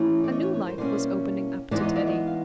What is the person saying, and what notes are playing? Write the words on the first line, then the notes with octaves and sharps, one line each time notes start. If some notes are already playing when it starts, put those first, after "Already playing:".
A new life was opening up to Teddy.
Already playing: E3 A3 C#4
D5
C#5 D#5
B4 C#5
B4 C#5
A#4 C5
B2 G3 A#3 C#4 E4 C5 D5
E3 G#3 B3 D#4 C5 D5
C#5 D#5
D5 E5
C#5 D#5
F5